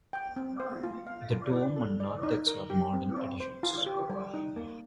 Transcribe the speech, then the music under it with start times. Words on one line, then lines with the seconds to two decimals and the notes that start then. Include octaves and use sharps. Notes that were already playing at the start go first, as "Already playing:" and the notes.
The dome and narthex are modern additions.
0.13 G5
0.36 C4
0.60 C5
0.84 F4
1.07 F5
1.30 F4
1.53 D5
1.76 A4
2.00 D5
2.23 D#4
2.47 A#4
2.70 G4
2.93 C4
3.17 C4
3.40 C5
3.63 F4
3.86 G4
4.10 G3
4.34 D#4
4.56 A#3